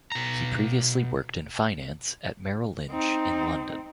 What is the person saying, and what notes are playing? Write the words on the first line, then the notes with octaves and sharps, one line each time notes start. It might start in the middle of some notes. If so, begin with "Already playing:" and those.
He previously worked in finance at Merrill Lynch in London.
B2 A#5
C4 D#4